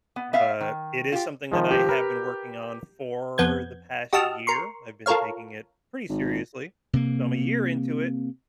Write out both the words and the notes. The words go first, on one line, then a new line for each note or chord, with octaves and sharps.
but it is something that I have been working on for, the past year. I've been taking it pretty seriously, so I'm a year into it,
B3
B3 E5 F5
D#3
F4 G4
D#3 F3 G#3
G4
A#4 B4
F2 B3 G6 G#6
F#4 G4 D#5 A5 E6 F6
A#4 C6 C#6
F4 A4 A#4 C#5 F5
G#1
C3 A#3